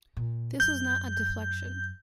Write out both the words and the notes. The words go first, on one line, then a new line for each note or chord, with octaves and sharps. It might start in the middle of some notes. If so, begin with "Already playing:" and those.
This was not a deflection.
A#2
F#2 G6